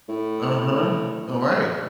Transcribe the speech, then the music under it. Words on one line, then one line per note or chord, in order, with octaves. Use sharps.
Uh-huh. Alright.
A2